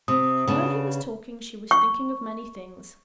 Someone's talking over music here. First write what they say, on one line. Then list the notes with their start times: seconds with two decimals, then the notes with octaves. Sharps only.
While he was talking, she was thinking of many things.
0.08 C3 D#6
0.47 C#3 B3 D4
1.71 C#6